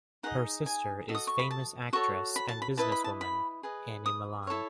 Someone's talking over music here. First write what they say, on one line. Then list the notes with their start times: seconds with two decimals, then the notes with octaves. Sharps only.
Her sister is famous actress and business woman, Annie Malan.
0.23 D#4 G#4 B4 D#5 F#5
0.66 G#5
1.08 F#4 A4 D#5
1.15 D#6
1.27 C#6
1.39 B5
1.51 A5
1.93 F#4 A4 C#5 C#6
2.36 B5
2.49 A5
2.62 B5
2.78 E4 B4 D#5 A5
2.92 B5
3.04 A5
3.21 B5
3.63 G#4 B4 D#5
4.06 D#6
4.47 E4 A4 C#5